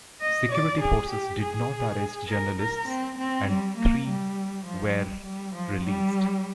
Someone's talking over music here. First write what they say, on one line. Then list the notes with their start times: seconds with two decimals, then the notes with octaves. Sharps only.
Security forces did not arrest journalists and three were released.
0.21 D#5
0.52 D5
0.81 G#4
1.10 G4
1.40 G#4
2.28 A#4
2.59 A#4
2.88 C4
3.18 C4
3.48 G3
3.77 A#3
4.07 G3
4.65 F3
4.96 G3
5.24 G3
5.54 F3
5.85 G3